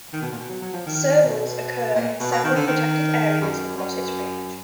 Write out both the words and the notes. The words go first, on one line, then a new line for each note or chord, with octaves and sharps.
Servals occur in several protected areas across its range.
D#3
B2
A#2
B2
F#3
F#3
F3
D#3
B2
A#2
B2
B2
D#3
D3
D#3
F#2
F#2